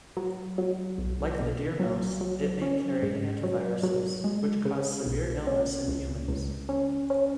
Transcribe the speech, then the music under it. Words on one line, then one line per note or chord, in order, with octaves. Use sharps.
Like the deer mouse, it may carry hantaviruses, which cause severe illness in humans.
F#3
F#3
B1
B1
F#3
F#3
C#4
G#2
F#3
F#3
G#3
C#3
B1
C#4
C#2
C#2
C#4
C#4